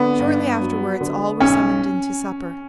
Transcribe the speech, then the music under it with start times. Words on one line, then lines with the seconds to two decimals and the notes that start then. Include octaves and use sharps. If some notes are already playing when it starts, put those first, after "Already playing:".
Shortly afterwards all were summoned in to supper.
Already playing: D3 B3
0.19 G2
0.61 F#3
1.01 D3
1.40 B1 C#4